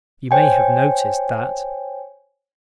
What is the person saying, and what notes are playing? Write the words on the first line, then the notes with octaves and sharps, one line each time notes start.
You may have noticed that.
C5 C#5 G5 G#5